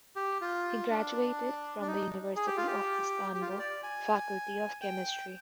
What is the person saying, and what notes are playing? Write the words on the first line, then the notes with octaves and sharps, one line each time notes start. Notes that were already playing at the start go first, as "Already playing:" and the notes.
He graduated from the University of Istanbul, Faculty of Chemistry.
G4
F4
D4
D4
D#4
G#4
G4
F4
G4
G4
F4
G4
D5
G#5
G5